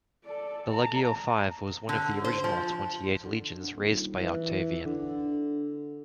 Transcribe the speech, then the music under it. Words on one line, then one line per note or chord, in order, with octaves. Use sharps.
The Legio Five was one of the original twenty-eight legions raised by Octavian.
A4 D5
A5 A#5
D3
C5
F3
D3
D#1
E3
D3